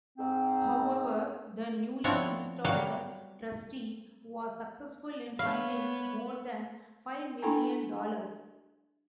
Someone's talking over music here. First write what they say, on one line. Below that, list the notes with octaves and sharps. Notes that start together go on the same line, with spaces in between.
However, the newly installed Trustee was successful in finding more than five million dollars.
G#2 C4
F3 B3 C4 D4 E4 C#5
F#3 G3 F5 F#5
B3 C#5 F5 B5
D4 E4 A4 G5 G#5 A#5